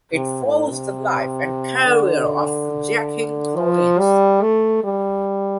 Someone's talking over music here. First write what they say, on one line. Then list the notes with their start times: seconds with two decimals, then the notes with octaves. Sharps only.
It follows the life and career of Jackie Collins.
0.14 C3
0.43 A2
0.71 C3
1.86 D3
3.56 F3
3.99 G3
4.42 A3
4.84 G3